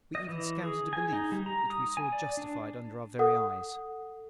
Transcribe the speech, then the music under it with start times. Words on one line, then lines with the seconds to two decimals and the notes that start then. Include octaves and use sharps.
We even scouted a belief that we saw justified under our very eyes.
0.15 D#5
0.29 E3
0.63 G#4
0.93 G#5
1.13 D#4
1.32 G3
1.46 A#5
1.70 D#6
1.97 G#5
2.12 D5
2.37 D4
3.19 A4 F#5 D#6